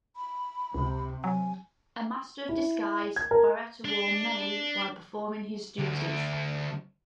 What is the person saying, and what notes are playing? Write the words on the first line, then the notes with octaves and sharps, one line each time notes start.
A master of disguise, Baretta wore many while performing his duties.
B5
C#2 C3
F#3 G#5
E4
G#6
A#4
D4
D2